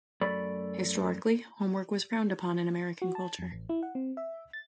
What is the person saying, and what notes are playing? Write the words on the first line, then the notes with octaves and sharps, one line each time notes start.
Historically, homework was frowned upon in American culture.
F#2 A3 D5 B5
F#4
A5
F2
A1
E4
F#5
C4
E5
A6